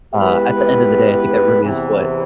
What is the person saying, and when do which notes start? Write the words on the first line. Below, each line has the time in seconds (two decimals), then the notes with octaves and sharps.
uh, at the end of the day, I think that really is what
0.14 G#3 B3 E4 G4 B4
1.63 E2 C3 E3